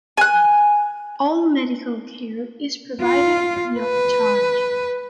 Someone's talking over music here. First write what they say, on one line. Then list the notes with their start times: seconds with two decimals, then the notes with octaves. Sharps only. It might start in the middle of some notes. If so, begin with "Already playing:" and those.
All medical care is provided free of charge.
0.18 G#5 F#6
3.02 F4
3.80 B4